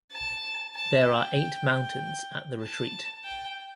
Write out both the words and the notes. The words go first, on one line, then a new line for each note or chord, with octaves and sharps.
There are eight mountains at the retreat.
A5
A5
G5
A5
G5